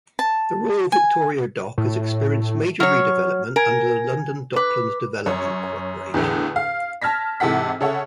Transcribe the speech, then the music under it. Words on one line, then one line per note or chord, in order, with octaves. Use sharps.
The Royal Victoria Dock has experienced major redevelopment under the London Docklands Development Corporation.
A5
G#5
A2
F#3 C#5 F6
A#4 G#5 G#6
B4 D6
F#2 C#5
E2 A2 D3 E3
F5
A5 F6 G#6 A#6 B6
G#2 C3 E3 A4 F#5 B6
C#3 A4 C#5 E5 F#5